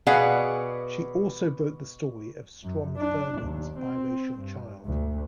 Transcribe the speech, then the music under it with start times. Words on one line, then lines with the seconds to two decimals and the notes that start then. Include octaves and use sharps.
She also broke the story of Strom Thurmond's biracial child.
0.07 B2 G#4 B4 D5 F5 F#5
2.63 F#2
2.97 D4
3.42 D#2
3.79 C4
4.39 G2
4.86 D2